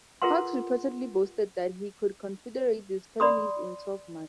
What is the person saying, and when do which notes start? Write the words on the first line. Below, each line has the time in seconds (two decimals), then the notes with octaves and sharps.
Parkes reportedly boasted that he "could confederate these colonies in twelve months".
0.22 F4 G#4 A#4 B4 F#5 C6
3.20 D5 B5 C6 D#6